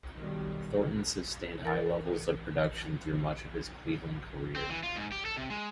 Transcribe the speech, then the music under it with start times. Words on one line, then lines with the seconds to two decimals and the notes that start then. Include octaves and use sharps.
Thornton sustained high levels of production through much of his Cleveland career.
0.16 B1 D#3 G3
1.63 E3 A#4 A6
4.56 C4
4.70 E3
4.83 F4
4.96 G#2
5.12 G4
5.25 A4
5.37 C3
5.50 G#3